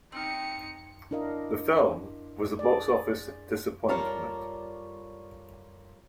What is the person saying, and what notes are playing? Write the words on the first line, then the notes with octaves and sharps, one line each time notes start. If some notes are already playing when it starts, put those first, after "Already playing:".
The film was a box office disappointment.
C4 D#4 G5 F6 C#7
D4 E4 A#4 D#5 F5
G#4 D5
G3 F4 A4 A#4 C#5 D5